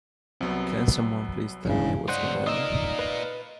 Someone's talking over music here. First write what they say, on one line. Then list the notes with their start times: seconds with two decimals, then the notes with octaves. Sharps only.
Can someone please tell me what's going on?
0.41 C2 F#3 B3 C4
1.65 E1 G2 C#3 F3 G#3 D4 E4
2.08 F#3 C5 D5 D#5 F#5
2.35 G2
2.47 D#4 F4 A#4 D#6 E6
2.99 B4 D#5